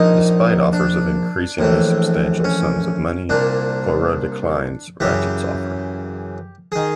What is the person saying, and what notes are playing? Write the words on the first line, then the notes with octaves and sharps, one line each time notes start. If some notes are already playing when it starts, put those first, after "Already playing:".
Despite offers of increasingly substantial sums of money, Poirot declines Ratchett's offer.
Already playing: A#1 A#2 D#4
D4
A#1 A2 E3
C#4
C2 A#2 D4
F#2 C#3 E3 G4
D#3 G#4